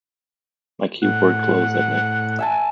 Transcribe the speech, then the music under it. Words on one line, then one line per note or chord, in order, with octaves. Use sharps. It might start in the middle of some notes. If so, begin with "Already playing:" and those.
My keyboard glows at night.
A2 F#5
E5 G#5 A5